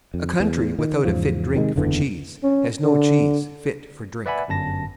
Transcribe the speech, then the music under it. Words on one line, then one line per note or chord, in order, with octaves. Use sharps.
A country without a fit drink for cheese has no cheese fit for drink.
F2
E2
D#3
E2 G#2 C#3 F3
C3 D#3 F#3 G#3
F#1 E2 D3 E3
C#4
D3
B4 D5 E5 F#5 G#5 B5
G1 F#2 A5 A#6